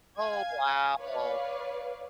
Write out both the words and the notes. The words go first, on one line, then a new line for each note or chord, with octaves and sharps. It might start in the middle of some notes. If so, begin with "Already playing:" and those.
Oh wow! Oh,
F5 G#5 G#6
B4 C#5 D5 F5